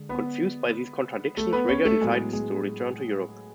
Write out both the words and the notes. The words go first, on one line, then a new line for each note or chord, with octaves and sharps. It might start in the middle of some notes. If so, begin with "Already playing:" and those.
Confused by these contradictions, Rigger decides to return to Europe.
Already playing: D3 G#3
B3 B4
A3 A4
B3 B4
C#4 C#5
A3 A4
A2 F#3 G#3 B3 G#4
G#3 G#4